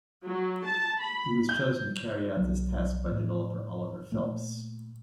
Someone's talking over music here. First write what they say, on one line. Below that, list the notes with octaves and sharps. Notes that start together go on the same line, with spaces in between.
He was chosen to carry out this task by developer Oliver Phelps.
F#3
A5
B5
G6
B1 F#3
A2
A#2 A3